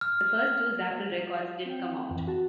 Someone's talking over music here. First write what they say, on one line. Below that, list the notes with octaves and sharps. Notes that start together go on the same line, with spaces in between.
The first two Zapple records did come out.
F6
C4 G5
F2 E3
F#4 A5